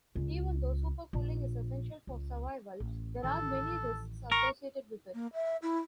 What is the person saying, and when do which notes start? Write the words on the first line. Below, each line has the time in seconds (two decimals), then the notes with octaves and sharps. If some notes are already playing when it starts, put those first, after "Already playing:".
Even though supercooling is essential for survival, there are many risks associated with it.
0.15 C#2
1.13 A#1
2.07 C#2
2.80 A1
3.23 A1 D#3 A4
4.32 A#4 C#6
5.14 A#3
5.34 E5
5.62 E4